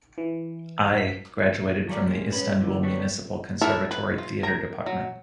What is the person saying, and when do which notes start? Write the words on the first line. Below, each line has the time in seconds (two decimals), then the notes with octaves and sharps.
Ay graduated from the Istanbul Municipal Conservatory Theater Department.
0.18 E3
0.98 B6
1.88 D#2 F#3 G3 A4 C5 D5
2.06 G3 G#3 A#3
2.32 G#3 C#4 B4
2.61 F2 D3 E3
2.83 D3 G3 B3 A4 C#5
3.61 D4 E4 A4 A#4 C#5
3.91 B4
4.18 F4
4.43 A#4 A#5
4.86 F#3